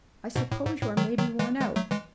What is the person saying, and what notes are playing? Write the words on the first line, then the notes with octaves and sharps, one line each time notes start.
I suppose you are maybe worn out.
G#2 B2
A2
G#2
A2
D#3 F#3
D#3 F#3
E3 G#3
E3 G#3
F#3 A3
E3 G#3